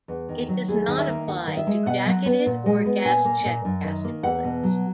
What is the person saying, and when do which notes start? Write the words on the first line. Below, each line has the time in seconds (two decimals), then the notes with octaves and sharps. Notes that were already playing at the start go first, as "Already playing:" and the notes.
It does not apply to jacketed or gas-check cast bullets.
0.08 E2
0.29 D#3
0.49 F#3
0.68 D#2 G#4
0.88 D#3
0.98 E5
1.08 A#3
1.28 D#2 F#5
1.47 D#3
1.57 E5
1.67 G#3
1.86 B2 F#5
2.06 F#3
2.26 B3
2.46 A#2
2.66 G#3
2.86 B3
3.05 A#2 G#5
3.25 A#3
3.45 A#2
3.65 F#2
3.84 D#3
4.04 A#3
4.23 E2 F#5
4.44 B2
4.63 F#3